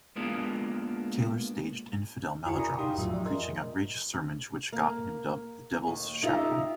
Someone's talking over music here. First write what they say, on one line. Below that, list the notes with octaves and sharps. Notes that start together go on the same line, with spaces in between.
Taylor staged infidel melodramas, preaching outrageous sermons which got him dubbed "The Devil's Chaplain".
G#3 A#3 B3 D4 F4
F2 E4 F#4 G#4 G#5 C#7
A#4 D5 A#5 B5 C#6 D#6
D#4 G4 F5 G5 C6 D#6
F2 A2 F#3 F4 E5
F3 D5
G#4 A#4 D#5 E5 C6
A#3
D#2
D#4 F4 G4 E5